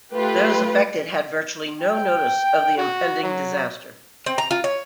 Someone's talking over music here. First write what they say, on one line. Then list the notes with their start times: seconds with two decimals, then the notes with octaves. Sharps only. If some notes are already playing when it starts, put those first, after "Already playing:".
Those affected had virtually no notice of the impending disaster.
0.14 A3 F4 G4 B4
1.81 G5
2.78 F#4
3.23 F#3
4.26 C4
4.38 A#5
4.51 F4
4.64 C#5